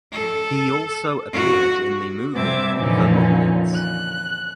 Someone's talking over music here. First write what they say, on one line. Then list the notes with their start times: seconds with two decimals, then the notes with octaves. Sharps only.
He also appeared in the movie "The Muppets".
0.12 A4
1.32 F#4
2.33 C3 G3 C4 E5 D6 G#6
2.77 F2 A#2 D3 E3 C#4 D#4
3.73 F#6